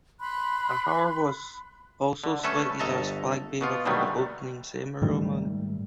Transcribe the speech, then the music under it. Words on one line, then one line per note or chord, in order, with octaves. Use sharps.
Ahar was also selected as flag bearer for the opening ceremony.
B5 C6 F#6
D3
A3 C#4 A4 B4 E5
G1 A4 D#5 E5 A5 A#5
B2 B3 F4
B2 D3 D#3 F#3 G3 A3
G#2 D#3 G3 A3